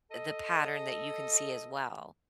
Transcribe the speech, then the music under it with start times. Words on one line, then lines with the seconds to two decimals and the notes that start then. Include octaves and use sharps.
the pattern that you can see as well,
0.11 A4 D#5